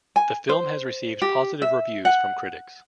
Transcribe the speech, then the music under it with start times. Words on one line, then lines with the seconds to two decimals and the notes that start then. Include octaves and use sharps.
The film has received positive reviews from critics.
0.16 G#5
0.49 C5
1.22 G4
1.62 E5
2.05 F#5